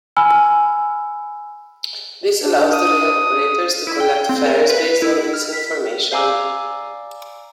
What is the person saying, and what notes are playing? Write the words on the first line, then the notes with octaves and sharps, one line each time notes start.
This allows the rail operators to collect fares based on this information.
G#5 B5 E6 F6
D4
D#6
E4
G5
C4
A#4
B4
E4
F6
B6
D5 F5 G#5 A#5 D6 E6